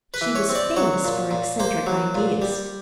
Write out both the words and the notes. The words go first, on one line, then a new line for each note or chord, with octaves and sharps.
She was famous for eccentric ideas.
B4
E3
C#5
C4
D5
F#3 C#5
A#2
A#2
A#3 C5
F#3
A#2
G3